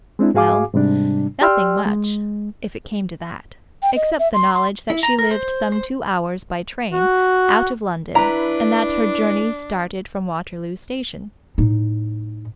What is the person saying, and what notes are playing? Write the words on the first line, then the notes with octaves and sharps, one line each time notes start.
Well, nothing much, if it came to that, except the knowledge that she lived some two hours by train out of London, and that her journey started from Waterloo Station.
G#3 C4 D4 E4
G#2 F#4 G#4 F5 G#5 D6
G#2 C3 G3 D4
G4 D5 G5 C6 E6 F6
G#3
G5
D#5
E5
C6
C6
E4
A#5
A#4
C5
C5
F#4
D4 E4 B4 A#5
A2 D#4